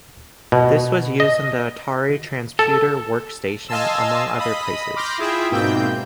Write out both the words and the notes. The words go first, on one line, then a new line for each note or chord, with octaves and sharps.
This was used in the Atari Transputer Workstation, among other places.
B2
D#5
A4
D#5 F5 G#5 A5 C6 E6
D#5 B5 D#6
B5 C6 D6 F6 G6 A#6
E4 F4 G#4 E5 G5
G#2 B2 A#3 C4 G5 G6